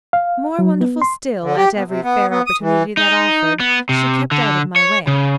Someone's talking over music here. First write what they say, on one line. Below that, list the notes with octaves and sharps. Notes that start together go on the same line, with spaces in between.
More wonderful still, at every fair opportunity that offered, she kept out of my way.
F5
F#3
B3
C6
D3
G4
B2
C3
B3
B3
D#6
E3
D#4
B3
C3
D3
C#5
C#3